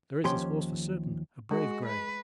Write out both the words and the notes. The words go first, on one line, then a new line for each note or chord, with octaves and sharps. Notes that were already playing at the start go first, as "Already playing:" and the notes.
There is his horse, for certain--a brave grey!
D#2 F3 C#4 G4 C6
G#3 F#4
B4